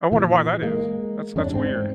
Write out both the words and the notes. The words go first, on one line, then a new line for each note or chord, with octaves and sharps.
I wonder why that is. That's that's weird.
A#2 E3
G#3 A#3
E2 G2 C#4 D4
G#2 C4